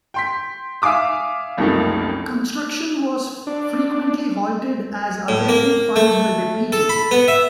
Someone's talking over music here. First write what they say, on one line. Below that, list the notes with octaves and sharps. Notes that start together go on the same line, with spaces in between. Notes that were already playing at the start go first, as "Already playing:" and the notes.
Construction was frequently halted as available funds were depleted.
G5 C6 B6
E5 F5 G#5 D6 D#6
F#1 C2 F3 A3 A#3 D#4
D4
A2
A#3
A3
A4
B5
B3
E5